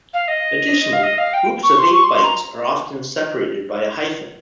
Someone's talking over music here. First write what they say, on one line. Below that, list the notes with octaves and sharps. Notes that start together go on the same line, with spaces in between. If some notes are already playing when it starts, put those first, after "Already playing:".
Additionally, groups of eight bytes are often separated by a hyphen.
F5
D#5
F5
D#5
F5
G5
C#6
C6
C#6
C6
C6
A#5